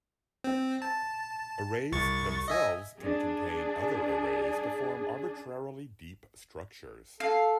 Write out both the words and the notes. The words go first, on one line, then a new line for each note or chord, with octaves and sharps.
Arrays themselves can contain other arrays to form arbitrarily deep structures.
C4
A5
C2 C#6 A6
D#5 E5 G#5
D4 G#4
A4 F5